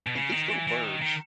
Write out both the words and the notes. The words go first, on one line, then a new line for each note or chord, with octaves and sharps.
And these little birds,
B2
C#3
D#3
E3
E3
D#3
D#3